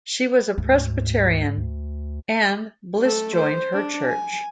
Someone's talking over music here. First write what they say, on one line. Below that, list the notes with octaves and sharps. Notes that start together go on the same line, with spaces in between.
She was a Presbyterian, and Bliss joined her Church.
D2 G#2
D2
A3 A4
C5
D4
G#5